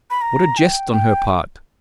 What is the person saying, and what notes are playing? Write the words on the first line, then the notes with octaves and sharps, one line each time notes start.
What a jest on her part!
B5
A#5
G5
G5